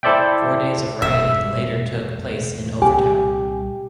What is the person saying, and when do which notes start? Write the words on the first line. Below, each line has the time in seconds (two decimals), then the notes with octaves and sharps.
Four days of rioting later took place in Overtown.
0.03 E4 A4 C5 D5 E5 G5
1.02 E1 B2 E5
2.82 C2 A#2 G4 G#5